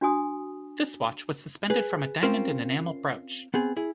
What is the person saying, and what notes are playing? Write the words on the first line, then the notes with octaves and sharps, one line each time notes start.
This watch was suspended from a diamond and enamel brooch.
D4 F#4 G#5 D#6
G#4 B4
C4 C#4 F4 A#4 C5
B3 C4 G#4
E4 G#4